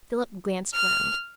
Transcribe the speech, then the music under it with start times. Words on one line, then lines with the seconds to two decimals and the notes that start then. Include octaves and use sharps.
Philip glanced round.
0.75 F6